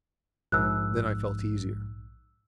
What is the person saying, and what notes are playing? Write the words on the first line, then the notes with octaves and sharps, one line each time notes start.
Then I felt easier.
A#1 G#2 E6 F#6